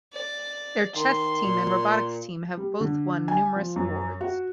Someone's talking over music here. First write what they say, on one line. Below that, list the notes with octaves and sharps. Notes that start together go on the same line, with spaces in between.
Their chess team and robotics team have both won numerous awards.
D5
D#3 C6
A#2
G3
D3
G#5
F3
F#2
F#4